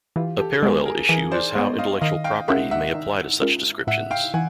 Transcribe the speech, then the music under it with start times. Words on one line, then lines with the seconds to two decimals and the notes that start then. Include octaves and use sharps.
A parallel issue is how intellectual property may apply to such descriptions.
0.16 E3 F4 G4
0.39 G4 A4
0.62 G#3 B3 G#4 A#4
0.85 G#4 A#4
1.09 E3 G#4 A#4
1.32 C5 D5
1.55 G#3 B3 C#5 D#5
1.79 D#5 F5
2.01 D#3 D#5 F5
2.24 F5 G5
2.48 G#3 C#4 F4 A#4 E5 F#5
2.71 E5 F#5
2.95 D#3
3.41 G#3 C#4 F4 A#4
3.87 A2 E5 F#5
4.11 F5 G5
4.34 E3 F#5 G#5